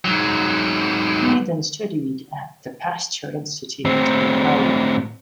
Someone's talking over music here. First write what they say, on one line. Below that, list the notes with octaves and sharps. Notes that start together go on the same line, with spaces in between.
He then studied at the Pasteur Institute in Paris.
G#2 F#3
A2 C4